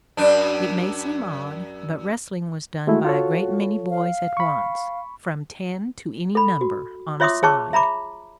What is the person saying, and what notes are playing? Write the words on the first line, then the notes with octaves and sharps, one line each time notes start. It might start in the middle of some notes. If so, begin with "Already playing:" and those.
It may seem odd, but wrestling was done by a great many boys at once--from ten to any number on a side.
F#2 D4
G#3 A3 E4 F#4
F4 A4 C#5
F5
B5 C#6
A4 B5
F#4
F4 C#5 E5 C6 D6 D#6
G#4 C#5 A5 C#6 D6
E5 A#5 B5 D6